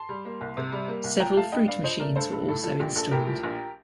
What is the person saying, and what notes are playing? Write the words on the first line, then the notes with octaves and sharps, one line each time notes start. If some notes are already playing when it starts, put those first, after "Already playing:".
Several fruit machines were also installed.
Already playing: A5 C6
G3
A#3
C2
C3
G3
A#3
C2
F3 G5 A#5
A3 F5 A5
G2 D#5 G5
G2 D5 F5
F3 C5 D#5
A3 A#4 D5
G2 A4 C5
G2 A4
A2 A4
F3 A4
A#1 G4
A#1 A4
A2 G4 A#4
F3
A#1